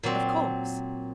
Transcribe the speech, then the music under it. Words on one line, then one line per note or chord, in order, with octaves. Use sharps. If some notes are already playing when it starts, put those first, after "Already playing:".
"Of course!"
A#2 F#3 C4